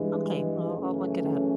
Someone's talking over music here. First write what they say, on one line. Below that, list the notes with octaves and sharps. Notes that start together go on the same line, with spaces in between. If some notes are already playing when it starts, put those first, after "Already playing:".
okay. Well, I'll look it up.
Already playing: G2 E3 G#3
F#2 C#3 E3 A3 C#4